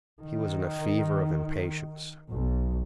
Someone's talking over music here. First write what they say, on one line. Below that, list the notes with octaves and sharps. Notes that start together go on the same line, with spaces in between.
He was in a fever of impatience.
D#3
B1